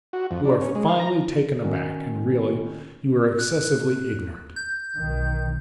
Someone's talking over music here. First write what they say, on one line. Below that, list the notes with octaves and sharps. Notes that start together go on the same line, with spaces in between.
You are finely taken aback, and really, you are excessively ignorant.
F#4
F2
D4
C#4
G#3
F5
A#5
D#3 C#4 D#4 F#4 A#4
F#6
G6
B1 D#3